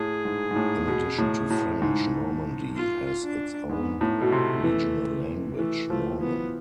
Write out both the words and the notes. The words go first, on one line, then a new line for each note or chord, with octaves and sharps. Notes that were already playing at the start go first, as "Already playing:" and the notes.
In addition to French, Normandy has its own regional language, Norman.
Already playing: A2 G#4
G#2
G#2
A2
B2
A2
A2
G#2
F4
D4
G#2 B3
A2
B2 A3
C3
E3
E3 A3
F3 A3
E3 B3